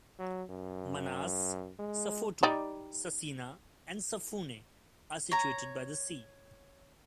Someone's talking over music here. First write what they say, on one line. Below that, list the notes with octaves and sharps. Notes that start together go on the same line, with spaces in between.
Manase, Safotu, Sasina and Safune are situated by the sea.
F#3
F#2
G#3
G3 D#4 D5
C#5 A#5